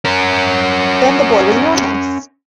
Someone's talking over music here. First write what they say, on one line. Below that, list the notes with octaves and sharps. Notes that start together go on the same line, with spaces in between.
Then the boy was in your house!
C#4 A#4